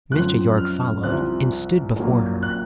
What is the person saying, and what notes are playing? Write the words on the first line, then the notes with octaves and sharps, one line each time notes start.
Mr. Yorke followed and stood before her.
F#2 F3 C4 F#6
F6
C2 C3 F3 C4 F#6
A#1 A#2 F#3 A#3
F#6